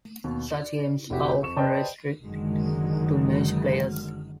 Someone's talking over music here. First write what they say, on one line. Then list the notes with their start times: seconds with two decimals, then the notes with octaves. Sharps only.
Such games are often restricted to mature players.
0.24 D#2 B2
0.50 D5
1.10 F1 C3 E4 F#4 G4
1.42 F2 C#6 E7
1.56 B4 C5 D5 D#5 G5 A5
2.24 F#1 D3 D#3 F#3 G#3